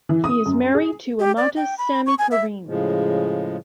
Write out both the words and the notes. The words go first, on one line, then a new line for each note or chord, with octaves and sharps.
He is married to Amatus-Sami Karim.
E3
D#6
F#2
G#4
G4
D5
G5
B5
C#6
G#5
E5
A2 C#3 F3 G#3